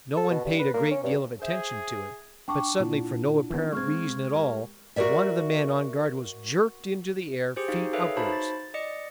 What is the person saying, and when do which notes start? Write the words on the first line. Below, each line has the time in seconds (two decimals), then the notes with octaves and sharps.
No one paid a great deal of attention to it, but suddenly for no apparent reason at all one of the men on guard was jerked into the air feet upwards.
0.17 A4
0.30 B2
0.45 G2
0.59 B4
0.74 A#3
0.91 C#4
1.04 G2
1.42 G#4 C5 E5
2.48 D4 F#5 G5 C#6 D6
2.80 A#2 E4 F4
3.50 E3 B3
3.72 G#3 A#3 C4 C#6 F6 G#6
4.35 G4 A#4
4.96 F#4 G#4 A#4 D5 E5
7.56 G4 G#4 C5 G6
7.68 D#4 F#4 F5
7.93 G#4 A4 B4 C#5 E5 F5
8.16 D#4 F#4 C5 A5 B5
8.32 A6
8.74 D5 D#5 C#7